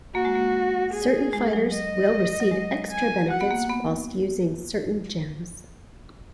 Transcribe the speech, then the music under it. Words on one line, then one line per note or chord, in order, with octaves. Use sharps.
Certain fighters will receive extra benefits whilst using certain gems.
A#3 F#4
G#3
A#3
G#4
G#3
F#3
D#5
F#3
G#3
G#5
F#4 F#5
B3
A#3
B3